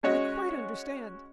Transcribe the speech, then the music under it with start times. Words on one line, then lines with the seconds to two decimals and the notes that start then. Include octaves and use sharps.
I quite understand.
0.03 G#3 C#4 F#4 C#5 D#5